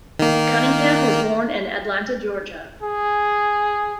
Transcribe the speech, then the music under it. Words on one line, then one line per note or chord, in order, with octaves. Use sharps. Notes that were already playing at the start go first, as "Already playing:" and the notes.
Cunningham was born in Atlanta, Georgia.
D#3 A#3
G#4